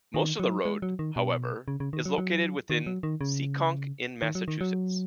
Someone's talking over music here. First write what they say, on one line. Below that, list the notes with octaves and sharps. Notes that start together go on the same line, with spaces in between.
Most of the road, however, is located within Seekonk in Massachusetts.
D#3
F#3
G#3
F#3
D#3
B2
C#3
C#3
D#3
F#3
F#3
D#3
F#3
D#3
C#3
D#3
F#3
D#3
F#3